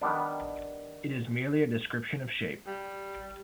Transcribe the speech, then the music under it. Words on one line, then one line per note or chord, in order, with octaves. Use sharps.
It is merely a description of shape.
D#3 G3 B3 D4
G3